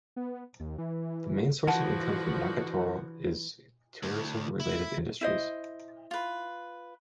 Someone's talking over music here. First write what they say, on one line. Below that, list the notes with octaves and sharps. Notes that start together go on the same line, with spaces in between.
The main source of income for Nagatoro is tourism-related industries.
B3
D#2
E3
D3 E3 F3 F#4 F#5 A5
D2
E4
E4 C5 D#5
F4 B4